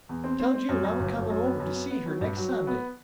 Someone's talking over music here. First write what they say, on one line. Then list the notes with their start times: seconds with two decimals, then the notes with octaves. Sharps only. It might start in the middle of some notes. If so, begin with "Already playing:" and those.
"Tell June I'm a-comin' over to see her next Sunday."
0.09 E2
0.24 C4
0.40 C4
0.54 C4
0.69 F#2
0.85 F#2
1.00 G1
1.15 F#2
1.30 F#2
1.45 B3
1.60 F#2
1.75 B3
1.91 B3
2.06 F#3
2.21 G2
2.37 F#3
2.51 F#3
2.67 B3